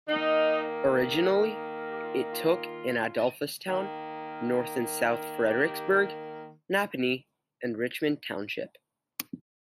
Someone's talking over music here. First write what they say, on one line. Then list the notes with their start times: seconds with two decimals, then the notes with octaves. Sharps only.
Originally, it took in Adolphustown, North and South Fredericksburgh, Napanee and Richmond township.
0.09 D#3 A#3 D#4
1.87 G4
2.01 F4
2.15 D#4
2.29 F4
3.66 D#3 A#3
5.45 G4